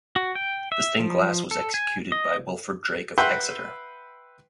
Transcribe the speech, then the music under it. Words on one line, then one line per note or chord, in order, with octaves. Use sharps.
The stained glass was executed by Wilfred Drake of Exeter.
F#4
G5
E5
F3
A4
G#5
D#5
B4 E5 F#5 G5 B5 C6